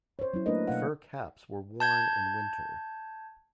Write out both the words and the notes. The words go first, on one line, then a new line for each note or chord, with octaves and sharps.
Fur caps were worn in winter.
C5 C#5
F#3 C#4 E4
A3 A#3 D4 A#4 B4 D#5
B2 F5 F#5
A5 G6 G#6